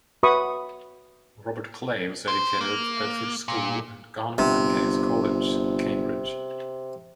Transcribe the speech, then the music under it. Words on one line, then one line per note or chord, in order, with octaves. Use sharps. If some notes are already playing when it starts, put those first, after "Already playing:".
Robert Clay was educated at Bedford School and Gonville and Caius College, Cambridge.
F#4 B4 E5 B5 C#6 D#6
C5
A#3
A#2
G1 C3